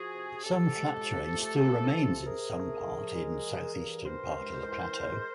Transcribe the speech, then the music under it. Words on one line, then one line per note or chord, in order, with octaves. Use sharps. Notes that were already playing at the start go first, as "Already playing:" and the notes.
Some flat terrain still remains in some part in southeastern part of the plateau.
Already playing: F3 F#4 G#4
C3
C3 G4 A4
G#3
F3
A3
F3
C3
C3 G#4 A#4
A3
F3
G#3
E3
G2
G2 A#4 C5
G#3
E3
G#3